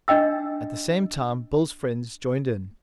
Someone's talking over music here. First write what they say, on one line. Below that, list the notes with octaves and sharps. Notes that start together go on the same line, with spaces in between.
At the same time Bill's friends joined in.
D4 D#5 G5 E6